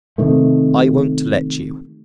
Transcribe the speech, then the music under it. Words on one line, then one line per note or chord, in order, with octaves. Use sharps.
I won't let you.
C3 D#3 A3